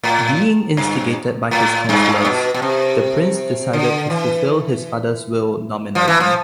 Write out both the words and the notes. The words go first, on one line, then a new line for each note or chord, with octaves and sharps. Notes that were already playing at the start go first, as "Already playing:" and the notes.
Being instigated by his councilors, the Prince decided to fulfill his father's will nominally.
A2
G2
A2
G2
B2
B2
C3
D3
E3
F3
E3
F3